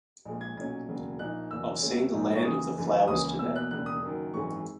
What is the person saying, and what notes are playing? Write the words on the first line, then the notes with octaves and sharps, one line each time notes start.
I’ve seen the land of the flowers today.
A#1 A#2 G#3
G#6
B1 A#2 F#3 C#4 G#6
E1 D#2 C#3 F#3
A#1 A#2 A#3 D#4 F#6
F#1 E2 B2 E6
D#2 C#3 G#3 C#4
A#1 G#2 F#3 A#3 D#4
C#6
D#2 C#3 E3 D#6
F#1 F#2 E3 G#3
C#2 C#3 E3 A#3 C#4 D#6
E2 B2 A#3 E6
F#6
E1 D#2 C#3 F#6
D#6
F#1 F#2 D#3 F#3
G#1 F#2 E3 G#3 C#6